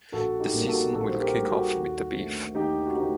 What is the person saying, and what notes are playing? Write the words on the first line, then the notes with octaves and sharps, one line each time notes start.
The season will kick off with the Beef.
A#1 F#4 A4
D#4 G4
A#2 G3 A#3
F#4 A4
A#1 F#4 A4
C5
G4 A#4
A#2 G3 A#3
F#4 A4
D#2
D3 A3 C4
D#2 D#4 G4
F#4
D3 A3 C4 D#4 G4